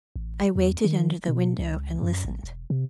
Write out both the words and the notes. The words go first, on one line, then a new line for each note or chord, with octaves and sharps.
I waited under the window and listened.
A1
E2
D#3
B2
C#2
F#2
A1
E1
C3